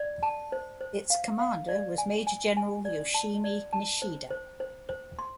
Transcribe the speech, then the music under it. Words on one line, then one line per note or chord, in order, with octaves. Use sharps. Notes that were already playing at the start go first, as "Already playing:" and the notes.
Its commander was Major General Yoshimi Nishida.
Already playing: D5
A5
C5
C5
F5
F5
D5
G#5
G#5
G#5
D5
A5
D5
A5
C5
C5
C5
C5
C6